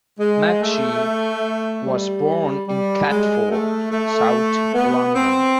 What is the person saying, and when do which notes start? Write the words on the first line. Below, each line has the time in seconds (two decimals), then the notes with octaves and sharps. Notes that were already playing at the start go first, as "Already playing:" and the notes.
McShee was born in Catford, South London.
0.20 G#3
0.61 A3
1.85 G3
2.68 G3
3.09 G#3
3.51 A3
3.92 A3
4.74 B3
5.15 C4